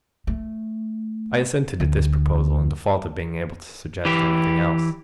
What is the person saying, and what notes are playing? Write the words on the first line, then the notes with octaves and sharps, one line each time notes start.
I assented to this proposal, in default of being able to suggest anything else.
A3
D2
E3 G4